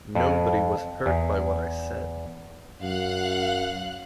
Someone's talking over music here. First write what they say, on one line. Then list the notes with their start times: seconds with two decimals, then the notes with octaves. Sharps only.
Nobody was hurt by what I said.
0.15 F2
1.06 E2
2.81 F#2 F5 F#5 F#6